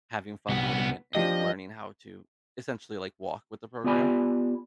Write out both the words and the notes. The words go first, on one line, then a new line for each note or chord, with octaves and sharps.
having fun with it, and learning how to, essentially, like, walk with the program.
C2 B3
F3 D4 G4 D#5
B3 F4 G4 D5 G#5 B5